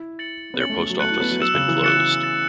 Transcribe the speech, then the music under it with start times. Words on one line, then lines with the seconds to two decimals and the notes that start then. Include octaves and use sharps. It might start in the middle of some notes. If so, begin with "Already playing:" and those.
Their post office has been closed.
Already playing: E4
0.19 A6 C#7 F#7
0.54 B3
0.59 C#4 A6 C#7 F#7
0.70 A3
0.80 A3
0.89 F#3
1.00 A3 F#6 C#7 F#7
1.10 E4
1.20 B3
1.30 F#3
1.41 F#3 E6 C#7 E7
1.54 C#3
1.68 E3
1.82 F#3 F#6 A6 C#7 E7
2.23 A6 E7